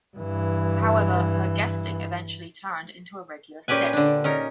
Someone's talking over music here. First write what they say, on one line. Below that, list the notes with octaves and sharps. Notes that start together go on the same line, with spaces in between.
However, her guesting eventually turned into a regular stint.
G2 E3
A#2 C#4 G4 B4 G#5
D3 D4
C#4 D#4 A#4